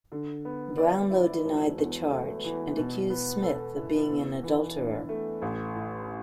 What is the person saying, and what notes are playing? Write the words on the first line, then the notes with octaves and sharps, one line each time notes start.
Brownlow denied the charge, and accused Smith of being an adulterer.
D3
B3
D5
E4
E1
E2
A3
E3
B2
B3
A4
E4
E2
E3
D4
A3
A1
A2